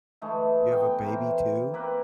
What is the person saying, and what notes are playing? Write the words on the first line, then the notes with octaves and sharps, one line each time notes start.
You have a baby too?
D3 E3 G#3 A3
B3 G5
E3 A#4 C5
A#3 C4 A#4 B4